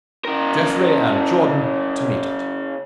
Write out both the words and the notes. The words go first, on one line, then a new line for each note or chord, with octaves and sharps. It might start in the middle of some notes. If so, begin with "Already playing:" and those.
Geoffrey and Jordan, to meet it.
C#3 A#4